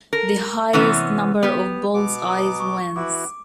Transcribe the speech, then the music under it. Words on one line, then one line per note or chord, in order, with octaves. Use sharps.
The highest number of bulls-eyes wins.
A#4
C3 E3 B3 C#4
B3 G4
B2 B3 D6
A#5 D#6
C#6
E3 E4 F#4 D6